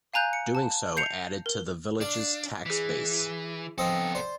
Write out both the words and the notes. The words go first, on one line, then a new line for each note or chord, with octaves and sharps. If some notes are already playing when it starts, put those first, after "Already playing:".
Doing so added to the village's tax base.
F5 G#5 A#5 F#6 G6
C#7
A5
G6 C7 C#7 F7
A#4
D4 D5 F5
E3 G#4 B6
F3 B3 C4 A4 D#5
C5 D5